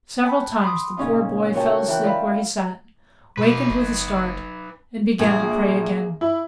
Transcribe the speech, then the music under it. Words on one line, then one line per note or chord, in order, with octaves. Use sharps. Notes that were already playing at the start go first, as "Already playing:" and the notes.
Several times the poor boy fell asleep where he sat, wakened with a start, and began to pray again.
F#5 G5 A5 B5
B5 C6 D6 D#6
A#2 C#3 C#4 D#4 F4
F4 F#4 A#4 C#5 G5 A5
E3 A#4 G5 F#6
F4 D5 E5 F5 B5
B2 D#4 B4
F#1
A#1 A#3 G#4
E4